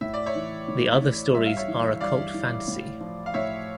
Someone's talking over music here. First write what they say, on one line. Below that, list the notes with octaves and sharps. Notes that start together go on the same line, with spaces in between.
The others stories are occult fantasy.
A2 E5
D5
C#5 E5
E3
A2
E3
G2 E5
F5
C#5 E5
E3
G2 D5 F5
E3
A2
F3
F5
A2 C#5 E5